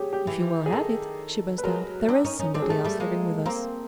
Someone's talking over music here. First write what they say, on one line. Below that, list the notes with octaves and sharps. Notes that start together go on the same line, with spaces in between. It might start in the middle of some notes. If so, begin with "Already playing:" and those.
"If you will have it," she burst out, "there is somebody else living with us."
Already playing: G4 G#4 C#5
G4
E3
G#4
D#3 A4
B4
F#3 G#3 A#4
C4 D4
C#4 D#4
C#4 D#4
C4 D4 A4
G#4
G3 A3 A4
G3 A3
G#3 A#3
A#3 C4